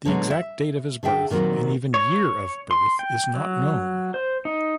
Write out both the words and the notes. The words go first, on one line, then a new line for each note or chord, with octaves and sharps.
The exact date of his birth and even year of birth is not known.
D3 F#3 G#3 B3
E5
D3 G#4 E5 G5
A#2 D#3 F#3 C4 A#4
C#5
C6
G5
F#3
C5
D#4